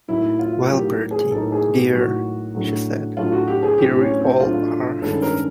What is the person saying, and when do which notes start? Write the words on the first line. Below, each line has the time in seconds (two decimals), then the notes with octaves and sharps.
"Well, Bertie, dear," she said, "here we all are."
0.08 A2 F#3 A#3 D#4 E4
0.39 F4
0.70 A2 F#3 A#3 D#4 G4
1.11 G#4
1.31 A2 F#3 A#3 D#4 A4
1.52 G#4
1.73 G4
1.93 A2 F#3 A#3 D#4 F#4
2.55 A2 F#3 A3 D4
3.17 A2 F#3 A3 D4 F4
3.32 F#4
3.48 G4
3.63 G#4
3.78 A2 F#3 A3 D4 G4
3.99 C#4
4.20 C4
4.40 A2 F#3 A3 D4 F4
5.02 G2 D#3 G#3 C#4 A4
5.22 A#4